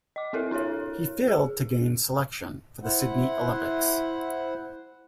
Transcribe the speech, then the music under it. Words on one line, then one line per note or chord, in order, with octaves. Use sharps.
He failed to gain selection for the Sydney Olympics.
D#5 D6
C4 E4 A4 A#4 E5
D4 E4 A4 A#4 C#5
G#4
E4 C5 F#5